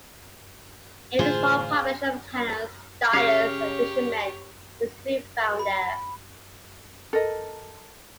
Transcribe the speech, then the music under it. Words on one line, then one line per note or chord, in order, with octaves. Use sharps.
Even the small population of tanners, dyers and fishermen is to be found there.
A2 D3 E3 F4 G#4 C5
C#3 G4 C#5 F5
B5
A4 A#4 D#5